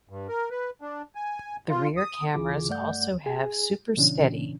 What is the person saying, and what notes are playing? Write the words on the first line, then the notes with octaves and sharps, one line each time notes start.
The rear cameras also have Super Steady.
G2
A#4
B4
D4
G#5
F4
D#6
D2 C#3 E3 F4 G#4 D6
G2 A3 D5 F#5 G6
G#4 G#5
A#2 C#3 E3 C#4 D4